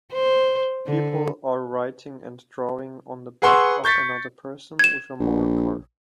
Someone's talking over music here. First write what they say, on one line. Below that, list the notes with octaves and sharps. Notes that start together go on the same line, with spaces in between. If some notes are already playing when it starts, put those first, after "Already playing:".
People are writing and drawing on the back of another person with a marker.
C5
D3
G#4 B4 F#5 C6 C#6 E6
C#6 G6 A6 B6 C#7
G#6 E7
A#1